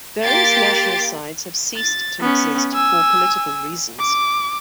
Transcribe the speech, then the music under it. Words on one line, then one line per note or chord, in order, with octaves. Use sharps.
Various national sides have ceased to exist for political reasons.
A#3 G4 C6 A6 B6 D7
A6
B3 C#4
G#5 E6
D6